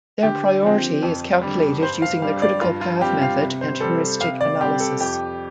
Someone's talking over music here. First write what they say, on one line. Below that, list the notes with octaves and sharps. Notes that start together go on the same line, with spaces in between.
Their priority is calculated using the Critical path method and heuristic analysis.
D3 G4
F3 C4
F2
D3 G3
G2 C5
F5
G3 D4 F5
D5
G2 F4
F4
G3 C4 G4
F5
C3
C5
G3 C4 A4
C3 F5
D5
G3 C4 G4
A4
F2 G4